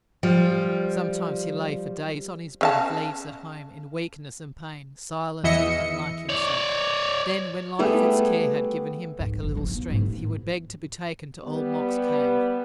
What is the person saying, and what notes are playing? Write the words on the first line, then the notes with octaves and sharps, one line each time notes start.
Sometimes he lay for days on his bed of leaves at home, in weakness and pain, silent and unlike himself. Then when Lightfoot's care had given him back a little strength, he would beg to be taken to Old Mok's cave.
F3 G3
C#3 F5 A5
E2 E3 D#5 E5 C#7
C#5 D5
G3 A3 B3 G#4
G#2
F#1
A#1 A#2
B3
A1 G#2
G3 B3